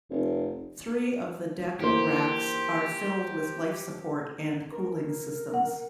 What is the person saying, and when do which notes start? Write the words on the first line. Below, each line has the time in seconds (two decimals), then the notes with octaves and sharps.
Three of the deck racks are filled with life support and cooling systems.
0.10 F1
1.80 E3 A#3 G4 C5
4.72 A#4
5.54 F#5